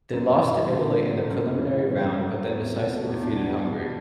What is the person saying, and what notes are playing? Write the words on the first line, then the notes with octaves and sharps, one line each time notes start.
They lost to Italy in the preliminary round but then decisively defeated Hungary.
F#2
F#2
E3
G3
D3
C4
F#3
A3
F#2
E4
E3
B3
F#2
F#2
F#3
B3
E2
C4
B2
A3
E2
D4
B2
G3
B2
D4